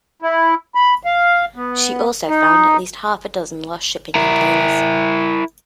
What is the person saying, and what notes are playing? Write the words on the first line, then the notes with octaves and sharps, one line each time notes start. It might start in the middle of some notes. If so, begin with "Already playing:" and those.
She also found at least half a dozen lost shipping containers.
E4
B5
F5
B3
D#4
E4 A#4